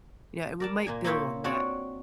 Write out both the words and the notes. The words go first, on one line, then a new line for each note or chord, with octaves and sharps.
you know, and we might build on that.
A#4 D5 A5
A#2 A#3 G#5
A#3 E4 F4 C#5 E5 G5
C4 D4 F#4 C#5 D5